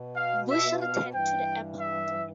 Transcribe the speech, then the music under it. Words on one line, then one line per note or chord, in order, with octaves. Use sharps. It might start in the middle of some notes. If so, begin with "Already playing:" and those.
Bush returned to the airport.
Already playing: B2
F5
E5
F5
G2 E3 G5
E5